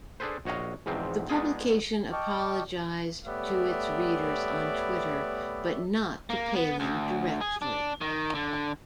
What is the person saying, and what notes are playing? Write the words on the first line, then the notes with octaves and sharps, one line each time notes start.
The publication apologized to its readers on Twitter but not to Palin directly.
D4 G#4 A4 B4 C5
A#1 F#4 C#5 D#5 F5
E2 G#2 B2 F3 C4
G#3 B3 D4 D#4 F4 G#4
D#5 G5 A5 C#6 D6 F6
G3 A3 B3 C#5 D5 E5
A#3
B3
D2
G#4
D4
D#3
D3